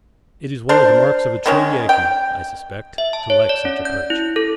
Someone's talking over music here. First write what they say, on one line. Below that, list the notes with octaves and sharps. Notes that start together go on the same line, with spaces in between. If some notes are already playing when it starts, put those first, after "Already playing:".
It is one of the marks of a true Yankee, I suspect, to like such a perch.
D4 A#4 C5
D#3 G#3 C#4
G5
E5
A5
C#5
D5
C#4
G6
E4
A4